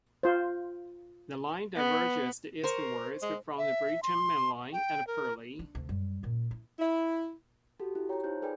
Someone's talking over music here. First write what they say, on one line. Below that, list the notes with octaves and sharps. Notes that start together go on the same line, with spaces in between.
The line diverges eastwards from the Brighton Main Line at Purley.
F4 C5
B3
A#4 C5 C6 C#6
G#3
E5
C6
G5
A#4
D4
D2 C3
F#2 G3
F#2 A#2
E4
E4
F#4 G4 A4
E4 G4
C#5 G5 A#5
D#4 F4 C5 G6
G#4 A4 B4 D5 G5 G#5